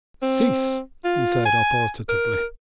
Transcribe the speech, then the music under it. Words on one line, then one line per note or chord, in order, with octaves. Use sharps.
"Cease!" he said authoritatively.
C4
F4
G#5
A#4